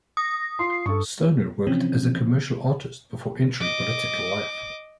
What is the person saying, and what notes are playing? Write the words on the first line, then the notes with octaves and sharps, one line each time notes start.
Stoner worked as a commercial artist before entering political life.
D#6 A#6
F4 C6 C7
G2 A4 C#6
C3 E3 F3 C4 C#4
D#5 D6